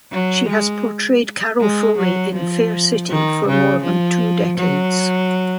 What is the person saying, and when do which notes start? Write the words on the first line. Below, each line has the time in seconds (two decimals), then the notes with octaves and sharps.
She has portrayed Carol Foley in "Fair City" for more than two decades.
0.12 F#3
0.49 G#3
1.60 G#3
1.98 F#3
2.35 F3
3.09 D#3
3.47 C#3
3.83 F3
4.58 F#3